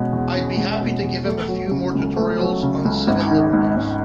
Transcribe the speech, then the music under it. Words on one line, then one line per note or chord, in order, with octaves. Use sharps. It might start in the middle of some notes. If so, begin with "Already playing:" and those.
I'd be happy to give him a few more tutorials on civil liberties.
Already playing: B2 G#3 C#4
E2
C#4
G#3
B2
E2
A3
F#3
C#3
C#2
A3
F#3
C#3
C#2
G#1
D#3
G#2
G#1